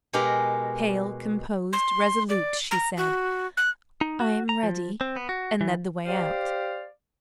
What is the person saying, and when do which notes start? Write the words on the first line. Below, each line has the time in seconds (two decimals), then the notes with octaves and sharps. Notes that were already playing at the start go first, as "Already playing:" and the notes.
Pale, composed, resolute, she said, "I am ready," and led the way out.
0.13 B2 G#3 G4 A#4 A#5
1.73 C6
2.29 D5
2.71 A#5
2.97 F#4
3.57 F#6
4.01 D#4
4.20 F#4
4.49 A#5
4.63 F3
5.01 C4
5.16 B3
5.29 F#4
5.61 E3
6.06 G4 C5 D5 F5